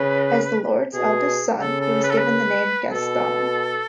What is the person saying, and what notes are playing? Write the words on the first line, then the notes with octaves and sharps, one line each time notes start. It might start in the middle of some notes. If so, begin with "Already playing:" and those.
As the lord's eldest son, he was given the name, Gaston.
Already playing: C#3 B4
B2 G#4
C#3 A4
A4
B4
A4
B4
B2 A4